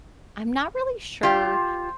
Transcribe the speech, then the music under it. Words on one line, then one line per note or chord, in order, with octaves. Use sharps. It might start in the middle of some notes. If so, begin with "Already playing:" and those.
I'm not really sure.
F4 G4 C5